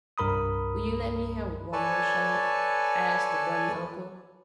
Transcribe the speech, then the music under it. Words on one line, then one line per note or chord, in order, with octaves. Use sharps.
"Will you let me have one more shot?" asked the bunny uncle.
C2 G2 A#4 B5 D#6
A4 B4 C#5 D5 G#5 A5